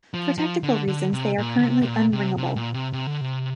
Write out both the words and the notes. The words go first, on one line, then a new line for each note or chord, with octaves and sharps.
For technical reasons they are currently unringable.
F3
F3
D3
D3
C3
A#2
D3
C3
C3
A#2
C3
C3
A#2
C3
C3
D3
C3